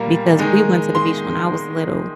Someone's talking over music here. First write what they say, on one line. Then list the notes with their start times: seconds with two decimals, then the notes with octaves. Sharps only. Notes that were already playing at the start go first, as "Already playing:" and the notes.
because we went to the beach when I was little,
Already playing: A#2 G3 A#3 A#5
0.39 D#3 G#3 D#4
0.95 C6